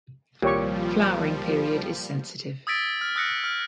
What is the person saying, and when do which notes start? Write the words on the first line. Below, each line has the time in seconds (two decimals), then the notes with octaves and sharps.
Flowering period is sensitive.
0.42 C2 A#2 D#3 F3 G3 G4 C#5 C#6
2.67 D#6 E6 G#6 A6 B6 D7
3.01 F6
3.16 D#6 E6 F#6 A#6 C#7
3.44 F6